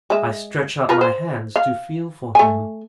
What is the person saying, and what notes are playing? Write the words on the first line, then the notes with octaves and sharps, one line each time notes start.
I stretched out my hands to feel for him.
G#3 E5
F4 A#4 B4
C5
F5
A3 G#5